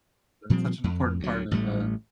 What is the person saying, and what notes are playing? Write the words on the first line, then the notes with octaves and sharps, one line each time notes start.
that's such an important part of, uh
A#2 F3 G3 C4
F2
D2 F#3
A1 A2 G3 A3